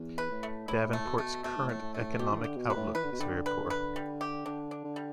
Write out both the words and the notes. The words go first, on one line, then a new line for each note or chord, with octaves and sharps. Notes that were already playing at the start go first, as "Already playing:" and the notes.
Davenport's current economic outlook is very poor.
Already playing: E2
B4
A2
A3
A2 E4
A3
B2
A3
B2 A3
G2
A2
A3
A2
G2 A3
A2
B2 G4
E3
D3
G4
B2
B4
A2
E3 B4
D3
B2
D3 G3
B4
B4
G3
G4
D3 D4
D4
D3
G3